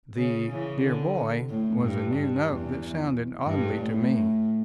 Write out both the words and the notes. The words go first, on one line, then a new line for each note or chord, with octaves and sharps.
The "dear boy" was a new note, that sounded oddly to me.
C#3
C#3 E3
D3
A2
G2
G2
E2
G2
A2